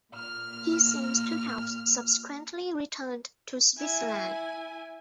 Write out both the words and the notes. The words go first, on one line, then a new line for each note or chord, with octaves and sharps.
He seems to have subsequently returned to Switzerland.
A#2 F6
E4 G#5